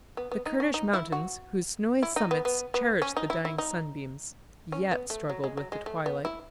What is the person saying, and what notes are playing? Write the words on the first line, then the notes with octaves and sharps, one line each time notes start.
The Kurdish mountains, whose snowy summits cherished the dying sunbeams, yet struggled with the twilight.
B3
B3
D#4
C#4
D#4
E4
F#4
E4
D#4
B3
B3
B3
C#4
D#4
E4
E4
D#4
C#4
B3
A3
F#3
G#3
F#3
G#3
A3
B3
E4